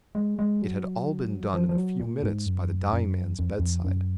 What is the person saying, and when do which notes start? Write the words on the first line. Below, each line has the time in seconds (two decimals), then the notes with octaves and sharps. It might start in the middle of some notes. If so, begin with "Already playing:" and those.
It had all been done in a few minutes by the dying man's bedside.
0.15 G#3
0.39 G#3
0.62 F#3
1.54 F3
1.69 F3
1.77 F#3
2.00 A#2
2.23 G#2
2.46 F#2
2.93 F#2
3.39 F2
3.59 F2
3.84 F#2